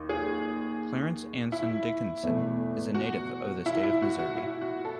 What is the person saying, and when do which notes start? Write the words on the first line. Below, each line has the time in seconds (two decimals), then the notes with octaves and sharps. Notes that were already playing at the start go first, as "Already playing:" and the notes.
Clarence Anson Dickison is a native of the state of Missouri.
Already playing: D#2 D#4
0.09 G#4
1.52 E4
2.23 E2 B2 A3
2.94 F#4
3.66 E4
3.83 E4
4.02 F#4
4.19 F#4
4.37 E4
4.61 F#4
4.85 A4